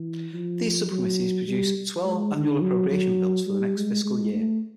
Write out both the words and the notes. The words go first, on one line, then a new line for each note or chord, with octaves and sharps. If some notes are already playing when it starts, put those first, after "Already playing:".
These subcommittees produce twelve annual appropriation bills for the next fiscal year.
Already playing: E3
F3
F#3
G3
G#3
D3
F#3
F#3
G3
G#3
G#3
A3